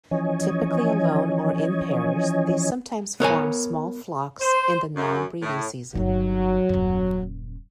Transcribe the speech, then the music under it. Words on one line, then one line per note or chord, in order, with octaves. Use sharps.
Typically alone or in pairs, they sometimes form small flocks in the non-breeding season.
E3 F3 C#4 C#5 D#5 G#5
B3 A#4 C#5 G#5
C5
F#2
A2
G1 F#3 D#4
D#1 F#2